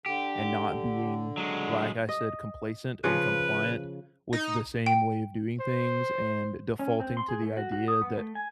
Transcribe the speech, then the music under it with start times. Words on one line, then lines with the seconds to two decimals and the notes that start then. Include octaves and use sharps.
and not being, like I said, complacent and compliant with the same way of doing things and defaulting to the idea that,
0.06 D3 G4
1.37 F#3 G#3
2.09 D#5
3.04 C#3 F3 B4
4.33 D#4
4.86 G5
5.60 C5
6.79 C#4
7.00 C4
7.17 C6
7.28 G#4
7.42 A3
7.57 F#4
7.72 F#4
7.88 D#6
8.01 B3
8.17 A3
8.35 G#5